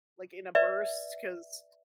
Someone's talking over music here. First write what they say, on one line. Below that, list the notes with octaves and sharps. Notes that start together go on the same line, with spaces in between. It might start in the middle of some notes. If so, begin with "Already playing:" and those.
like in a burst, 'cause
B4 D5 E5